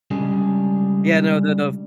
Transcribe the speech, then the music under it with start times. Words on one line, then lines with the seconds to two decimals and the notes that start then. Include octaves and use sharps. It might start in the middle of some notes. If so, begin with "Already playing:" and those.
Yeah, no, the the f
0.11 C#3 G3 G#3 D4 G#4